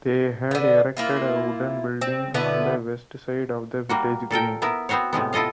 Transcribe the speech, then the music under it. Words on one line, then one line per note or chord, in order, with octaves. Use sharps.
They had erected a wooden building on the west side of the village green.
D3 B3
A#3 E4 F4
C4
D3 B3 E4 B4
G3 A#3 F#4
A#2 A4 A#4 G5
B3 E4 A#4 E5
B3 C4 F#4 C5 C#5
A2 C3 G#3 B3
E4 F4 A4 D#5 F5